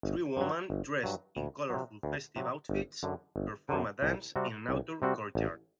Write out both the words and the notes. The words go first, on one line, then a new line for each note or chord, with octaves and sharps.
Three woman dressed in colorful festive outfits perform a dance in an outdoor courtyard.
G1
G2 F#3
G1
G2 F#3
D2
C3 F#3
D2
C3 F#3
G1
F#2 D3
G1
F#2 D3
C2
C3 G3 C4 F#4
C2
C3 G3 C4 F#4
A1